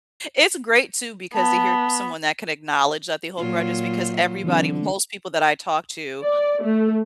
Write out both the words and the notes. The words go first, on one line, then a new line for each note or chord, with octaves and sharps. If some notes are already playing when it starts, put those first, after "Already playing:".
It's great too because to hear someone that could acknowledge that they hold grudges because everybody, most people that I talk to,
B3 A5
A#2 F#3 F4
D3 E3 F#3 C4
D5
A3